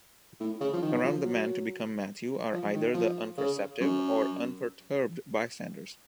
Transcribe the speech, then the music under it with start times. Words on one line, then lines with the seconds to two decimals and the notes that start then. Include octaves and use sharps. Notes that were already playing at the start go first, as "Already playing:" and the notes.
Around the man to become Matthew are either the unperceptive or unperturbed bystanders.
0.40 A2
0.60 C#3
0.73 F3
0.82 D#3
0.94 F#3
1.04 F3
1.24 F#3
2.52 F3
2.73 D#3
2.94 F3
3.37 C#3
3.80 F#2